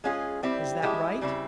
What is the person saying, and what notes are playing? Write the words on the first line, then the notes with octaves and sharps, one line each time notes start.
Is that right?
G#3 C#4 F4 G#4
G3 C4 E4 G4
F3 G#3 E4 G4
C#3 G3 C4 E4